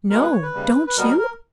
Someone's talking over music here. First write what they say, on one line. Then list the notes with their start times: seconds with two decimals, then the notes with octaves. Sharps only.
"No. Don't you?"
0.10 B2 G#3 B3 A#4
0.22 B4
0.32 C#5
0.42 B4
0.54 D#2 C#3 G3
0.87 B4
0.97 B2 G3 B3 A#4
1.08 A#4
1.18 A#4